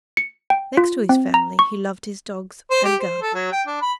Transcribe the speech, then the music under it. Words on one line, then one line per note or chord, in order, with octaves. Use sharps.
Next to his family he loved his dogs and gun.
C#7
G5
F4
C4
A#5
C#6
C5
G4
C5
A4
F#3
G5
D4
B5